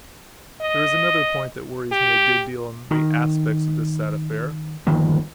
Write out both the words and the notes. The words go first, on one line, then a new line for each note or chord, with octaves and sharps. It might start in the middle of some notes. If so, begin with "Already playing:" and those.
There is another point that worries me a good deal in the aspects of this sad affair.
D#5
G4
D#3
G1 D#3 F3 A#3